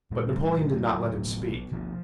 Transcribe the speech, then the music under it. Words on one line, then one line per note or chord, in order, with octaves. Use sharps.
But Napoleon did not let him speak.
A#2 G#3
F#3
A2 G3
A2 F#3
F3
F#3
A2
A2
B2
B2
B2 F3